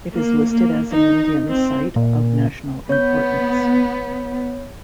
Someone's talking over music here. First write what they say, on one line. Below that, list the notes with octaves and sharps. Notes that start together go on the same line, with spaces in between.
It is listed as an Indian Site of National Importance.
A#3
A#3
D#4
C4
A#2
B3 C#5 G6